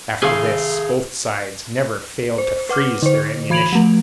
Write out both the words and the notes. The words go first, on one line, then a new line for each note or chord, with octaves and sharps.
After this, both sides never failed to freeze their ammunition.
G#4 A4 F5
C5
B4 F#5 D6 F6
D3 C5
E3 B5 G#6 D7 F7 F#7
F3 A3